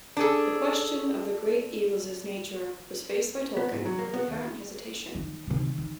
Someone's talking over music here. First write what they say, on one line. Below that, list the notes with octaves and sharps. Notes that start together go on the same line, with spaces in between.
The question of the Great Eagles' nature was faced by Tolkien with apparent hesitation.
D4 G#4 A4
B3
G#2
F#3
A#3
B3
D#2
D#3
C3 D#3
D#3